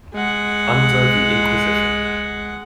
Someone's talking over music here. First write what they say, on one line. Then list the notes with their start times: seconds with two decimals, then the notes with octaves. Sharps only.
Under the Inquisition.
0.14 G#3 F#5